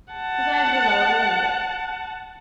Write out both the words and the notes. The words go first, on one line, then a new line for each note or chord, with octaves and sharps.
His eyes were lowered, at any rate.
F#5 A5